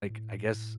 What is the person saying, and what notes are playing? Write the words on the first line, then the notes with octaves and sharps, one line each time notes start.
like, I guess,
A2